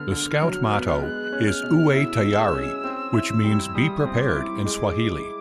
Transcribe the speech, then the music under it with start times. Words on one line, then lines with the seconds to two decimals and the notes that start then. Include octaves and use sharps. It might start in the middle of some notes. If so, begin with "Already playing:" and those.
The Scout Motto is "Uwe Tayari", which means "Be Prepared" in Swahili.
Already playing: D3 B3 F6
0.12 D3
0.42 F#3
0.73 B3
1.02 G#3 F#6
1.32 C#4
1.48 F6
1.63 B2
1.93 E4 E6
2.24 G#3
2.53 C#4
2.84 C4
3.13 E4
3.44 G3
3.74 G3 D#6
4.05 C4
4.20 D6
4.36 E4
4.65 G#3 D6